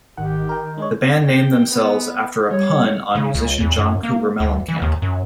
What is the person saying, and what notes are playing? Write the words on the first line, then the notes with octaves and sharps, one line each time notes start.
The band named themselves after a pun on musician John Cougar Mellencamp.
G#1 D#3 G4 F#5
A#4 G5
G#3 D4 C#5
G5
B3
G3 C#5
C#3
C#2
E2
F#2
A#3
D2
E3
D#2
F#2